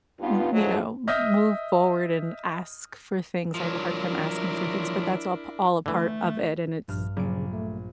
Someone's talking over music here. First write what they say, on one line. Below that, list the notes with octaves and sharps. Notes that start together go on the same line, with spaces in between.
m m you know, m move forward and ask for things I have a hard time asking for things, but that's all p all a part of it, and it's
G2 B3 D#4 F4
D2 F3 F#3 A3 G#4 D#5
D#5 E5 D#6 F6 G6 A#6
F3 F#3 D4 E4 A#4
D3 E3 A3
A#1 G2 F6
A#1 C#3 F#3 D7
A3